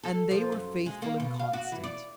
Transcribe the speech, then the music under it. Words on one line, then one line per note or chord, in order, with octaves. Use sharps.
And they were faithful and constant.
A4
F3
F#2
G#3
A#3
B2
F5
F#4
E3
D5